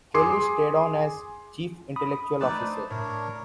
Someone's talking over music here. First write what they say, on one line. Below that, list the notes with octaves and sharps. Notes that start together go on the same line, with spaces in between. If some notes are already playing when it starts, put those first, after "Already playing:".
Kelley stayed on as "Chief Intellectual Officer".
G#4 C6 D6 C7
B5 D#6
A3 D#4 B4 D5 A5
D4 C5
A2 D4 A#4 C#5